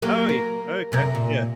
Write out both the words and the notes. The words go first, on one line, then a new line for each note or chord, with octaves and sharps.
Oh, ye Okay, yeah.
F#3 A#3 G4
A#4
F#2 C3 A#4
A#2